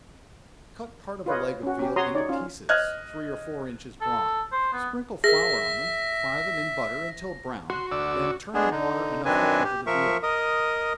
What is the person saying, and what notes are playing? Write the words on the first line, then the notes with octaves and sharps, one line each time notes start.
Cut part of a leg of veal into pieces, three or four inches broad--sprinkle flour on them, fry them in butter until brown, then turn in water enough to cover the veal.
F4 B4 C#5 D#5
C#4 F#4
C#4 G4
F#4 C#5 A#5 C6 D#6
D#4 C#5 D5
C#4 F4
D#5 F6 F#6 G#6
A4
C5
B3
G#4 A#4 E5 A#6
F#4 C6
D2 D5 E6
G#3 B3 D4 G#4
D3 D#4
F#2 D#3 C4 D4 B4 G#5
G4
F3 A#4 E5 C#6
A#4 D#5 D#6